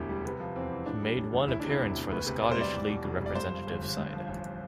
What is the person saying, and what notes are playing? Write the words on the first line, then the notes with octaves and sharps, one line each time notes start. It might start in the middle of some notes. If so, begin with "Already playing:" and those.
He made one appearance for the Scottish League representative side.
Already playing: E1 D2 D3 E4 G4
G3
C3 B3
F3
E2 C4
E2
A2 D4
G3
A1
A1
D2 E4
D4
C3
E4
E1
E1
D2 B4
C3
E1 D5
C5
G3 D5
E2
B2
F1
G3
D5
G2 C5
F3
G1
G1
G2
F3
A1